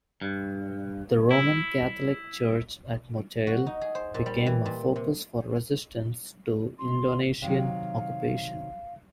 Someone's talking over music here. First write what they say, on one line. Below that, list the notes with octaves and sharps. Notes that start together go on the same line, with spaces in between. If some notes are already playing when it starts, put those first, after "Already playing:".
The Roman Catholic Church at Motael became a focus for resistance to Indonesian occupation.
G2
E4
F#4
D#4
G#4
C5
A#2
G3
E3
A#2
C3
C6
C3 D#3 F#3 F5